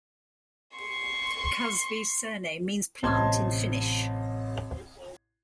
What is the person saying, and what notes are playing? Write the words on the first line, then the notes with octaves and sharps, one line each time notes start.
Kasvi's surname means "plant" in Finnish.
C6 C#6
A1 C3 D#5 A5 C6 G#6